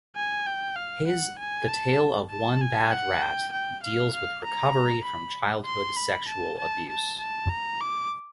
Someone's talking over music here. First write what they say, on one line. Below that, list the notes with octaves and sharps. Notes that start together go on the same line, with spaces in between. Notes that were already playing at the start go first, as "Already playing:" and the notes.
His "The Tale of One Bad Rat" deals with recovery from childhood sexual abuse.
G#5
G5
F5
F#5
G#5
A5
A5
G#5
F#5
G5
G5
F5
F5
A#5
B5
C6
B5
A5
A5
A5
A5
A#5
D6